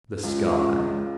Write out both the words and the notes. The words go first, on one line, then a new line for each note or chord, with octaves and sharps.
The sky.
C#2
C#2
C#2